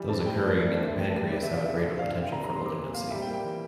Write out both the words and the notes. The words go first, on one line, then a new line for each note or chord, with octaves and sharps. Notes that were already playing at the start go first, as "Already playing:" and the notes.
Those occurring in the pancreas have a greater potential for malignancy.
Already playing: E3 G3
C4 A5
A2 G5
F3 D5
A3 A#4
D4 C5
E5
A2
G5
G3 A5
G5
C4 D5
C3 E5
F5
C3
E5
F3 D5
E5
C4
F5
D3 F5
G5
D3
A#5
G3 A#5
C4 C6
D6
A#2
A#2 F5
G3 E5
G5
A#3
G5
E3